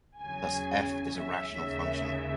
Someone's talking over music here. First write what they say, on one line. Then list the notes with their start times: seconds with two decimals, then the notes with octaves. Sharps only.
Thus "f" is a rational function.
0.18 E2 C#3 F#3 G#5
1.17 E5
1.50 D#2 C#3 G#3